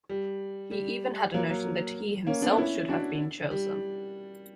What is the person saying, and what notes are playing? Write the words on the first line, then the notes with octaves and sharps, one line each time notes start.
He even had a notion that he himself should have been chosen.
G3
G3
F#3 A#3
F#3 A#3
A#3 C#4
B3 D4
C#4 E4
D4 F#4
G3